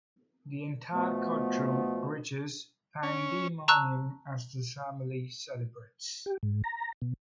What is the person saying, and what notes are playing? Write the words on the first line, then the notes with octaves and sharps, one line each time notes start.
The entire courtroom reaches pandemonium as the family celebrates.
B2 F3 A3 B3
C#4
A5 A#5 C#6 E6 F#6
G4
G#2
A#5
B2